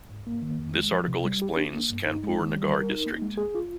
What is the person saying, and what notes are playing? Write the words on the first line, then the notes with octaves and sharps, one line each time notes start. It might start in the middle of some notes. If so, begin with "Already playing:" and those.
This article explains Kanpur Nagar district.
G#2
A#3
D#3
F2
G#3
F3
C3
G3
G4
D4
A#3
G2
D#4
G#3
D#3
G3
A#4
D#4
A#3
G#3
G#4
F4